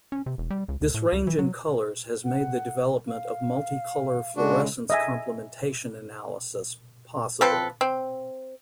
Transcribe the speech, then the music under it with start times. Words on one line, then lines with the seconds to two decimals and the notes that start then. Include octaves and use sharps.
This range in colours has made the development of multicolour fluorescence complementation analysis possible.
0.12 C#4
0.26 C3
0.38 E1
0.50 G3
0.68 C#2
0.81 D2
0.94 A2
1.12 C#2
1.27 E3
1.39 F#3
2.25 F#5
3.08 F5
4.37 C#3 G#3 D4 F#4
4.90 D#5 E5 G#5
7.41 F3 C4 A4 B4
7.81 C4